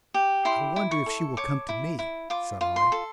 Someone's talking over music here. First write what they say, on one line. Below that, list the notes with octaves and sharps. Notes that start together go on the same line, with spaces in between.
"I wonder if she will come to me?" said I.
G4
E4 C6
E4
C#6
A4
C#5 D6
E4
E4
F4 D6
F4
C6
A4